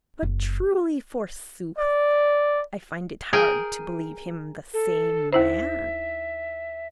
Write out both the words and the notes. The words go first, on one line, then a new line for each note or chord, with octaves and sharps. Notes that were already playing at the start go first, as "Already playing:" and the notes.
But truly, forsooth, I find it hard to believe him the same man.
F#1
D5
G#4 A#4 G5
A4
D#2 E4 C5 E5